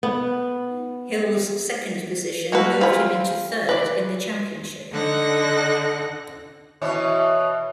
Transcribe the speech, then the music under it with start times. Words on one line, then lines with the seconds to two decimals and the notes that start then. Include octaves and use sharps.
Hill's second position moved him into third in the championship.
0.03 B3
2.52 A#3 F#4 A4 B4
2.81 C4 F4 F5 G#5 B5
3.69 B4 D5
4.91 D3 D#4 A4 F#5 F#6 A#6
6.81 B2 E3 C#5